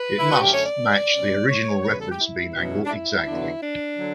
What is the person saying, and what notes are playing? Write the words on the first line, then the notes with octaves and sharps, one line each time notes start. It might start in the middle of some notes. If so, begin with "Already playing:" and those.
It must match the original reference beam angle exactly.
Already playing: B4
E4
F#4
F#2 D3 A3 C#4 G4
C#5
D5
B2 G3 C#4
C#5
E2 C#3 G3 C#5
B4
A4
G4
E4
E2 B2 F#3 C#4
D4
E4
E2 D3 F#3 B3 D4
D4
D3 F#3